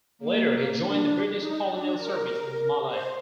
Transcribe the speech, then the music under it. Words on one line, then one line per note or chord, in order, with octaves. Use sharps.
Later he joined the British colonial service in Malaya.
A#3
A#3
D4
D#4
D4
A#4
C5